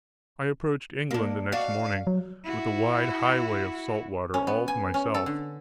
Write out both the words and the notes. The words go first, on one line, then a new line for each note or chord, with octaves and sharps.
I approached England the next morning, with the wide highway of salt water all to myself.
A#3 D4
D4 F#4 F5
F#3
E4 F#4
C#4
B3
G#5
C#4
A4
D3